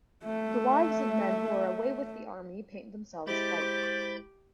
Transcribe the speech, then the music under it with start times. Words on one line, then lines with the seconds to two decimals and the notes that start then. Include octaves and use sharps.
The wives of men who are away with the army paint themselves white.
0.24 A3 E5
3.27 G#3 E4 G4 C5 B5 D6 G6 A6